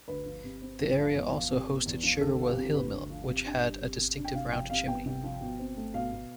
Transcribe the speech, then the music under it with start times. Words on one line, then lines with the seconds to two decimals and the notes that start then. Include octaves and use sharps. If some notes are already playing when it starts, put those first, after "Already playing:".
The area also hosted Sugarwell Hill Mill which had a distinctive round chimney.
0.08 D2 B4
0.26 F3
0.44 C3
0.62 C4
0.79 D2
0.97 F3
1.14 E2
1.32 F3
1.50 C3
1.68 B3
1.86 E2
2.03 F3
2.21 D2 A4
2.39 F3
2.47 G4
2.56 C3
2.74 D2 B4
2.92 D2
3.10 F3
3.28 C3
3.45 D4
3.63 G3
3.81 C3
3.99 C3
4.17 D4
4.25 G5
4.35 C2 F5
4.52 F3 G5
4.70 C3 F5
4.88 B3 G5
5.05 C2
5.23 F3
5.41 B2
5.59 C4
5.77 A3
5.94 B2 F5
6.12 B2